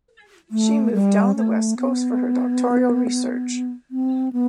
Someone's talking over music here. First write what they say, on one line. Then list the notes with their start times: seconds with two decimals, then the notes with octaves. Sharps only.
She moved down the West Coast for her doctoral research.
0.51 A3
0.93 G3
1.36 A3
1.78 B3
3.91 C4
4.33 B3